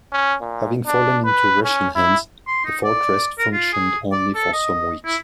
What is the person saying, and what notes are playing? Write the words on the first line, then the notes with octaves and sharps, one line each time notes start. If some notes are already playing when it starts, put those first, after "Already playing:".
Having fallen into Russian hands, the fortress functioned only for some weeks.
C#4
A#2
D4
B4
C#4
E4
C6
D#4
D5
A#4
F4
G#4
D5
A4
D#5
E4